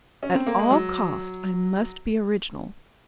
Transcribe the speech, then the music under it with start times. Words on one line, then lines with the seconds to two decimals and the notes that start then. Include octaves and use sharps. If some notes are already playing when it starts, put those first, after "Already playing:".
At all costs I must be original.
0.23 C#4
0.35 C4
0.46 A#3
0.59 G#3
0.71 F#3